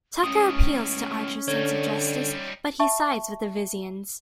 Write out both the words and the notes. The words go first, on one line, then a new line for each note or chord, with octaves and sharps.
Tucker appeals to Archer's sense of justice, but he sides with the Vissians.
C#2 A2 C#4 D#6
D3 G3 D#4 C#5
E5 A5 C#6